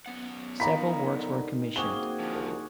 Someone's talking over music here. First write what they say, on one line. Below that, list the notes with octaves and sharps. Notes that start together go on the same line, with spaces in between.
Several works were commissioned.
F#2 B3 F#5
D#3 F4 A#5 B5 B6
D3
A#3 C4 F#4 G#4 G7
D3 F3
C2